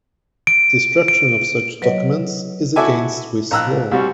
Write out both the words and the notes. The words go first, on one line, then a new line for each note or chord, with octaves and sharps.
Destruction of such documents is against Swiss laws.
D7
D7
F#3 B4 C#5 D#5 F#5
E4 F#4 A4 E5 G#5 D6
A#1 A#5 E6 F#6
C2 G3 F#4